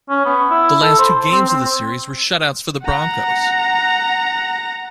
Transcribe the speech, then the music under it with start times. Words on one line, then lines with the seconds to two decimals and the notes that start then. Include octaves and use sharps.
The last two games of the series were shoutouts for the Broncos.
0.10 C#4
0.25 B3
0.50 E4
0.82 A4
0.98 C5
1.32 C4
1.49 C4
2.84 F#5 A#5